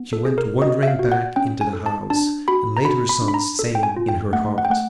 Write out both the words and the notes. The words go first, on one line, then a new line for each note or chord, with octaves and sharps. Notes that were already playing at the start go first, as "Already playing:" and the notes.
She went wondering back into the house, and laid her son's saying in her heart.
Already playing: B3
A4
G#4
A#4
F#4 D#5
E5
F5
F#4
F#5
C#4 G5
G#5
A4
A5
D4 A5
F#4 B5
A#5
F#4 B5
B5
D4
B5
A#5
A4
G5
G#5
F4
G5
A3 F#5
F#5
G5
A3 F#5